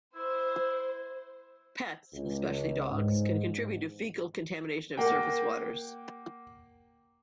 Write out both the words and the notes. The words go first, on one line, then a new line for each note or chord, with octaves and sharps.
Pets, especially dogs, can contribute to fecal contamination of surface waters.
E4 C5
C#2
G#2
A#3 F#5 G5